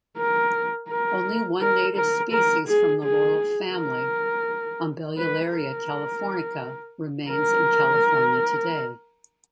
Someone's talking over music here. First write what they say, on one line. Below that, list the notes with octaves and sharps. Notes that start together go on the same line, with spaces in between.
Only one native species from the laurel family, "Umbellularia californica", remains in California today.
A#4
A#4
A#4
A#4
A#4
G#4
G#4
A#4
B4
A#4
A#4